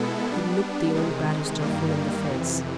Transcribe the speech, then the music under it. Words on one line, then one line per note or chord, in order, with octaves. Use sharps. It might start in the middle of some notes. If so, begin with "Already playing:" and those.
He looked the old barrister full in the face.
Already playing: B2 G#3 B3 E4 A4
G3 B3 D4
C3 D#3 G#3
G2 D#3 G3 A#3
F2 C3 E3